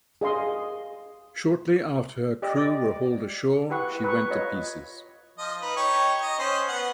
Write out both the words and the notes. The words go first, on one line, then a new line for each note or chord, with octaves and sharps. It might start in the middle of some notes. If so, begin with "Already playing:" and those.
Shortly after her crew were hauled ashore she went to pieces.
G#4 D#5 F5 C6 D#6
G4 D5 D#5
D5
E4 G4 B4 F#5 C#6
B4 A#5 C#6
F4 C#5 D#5
F3 D#5
D#4 B4
D#4 G4 C#5
D#5
C#4 C5
B3 F#5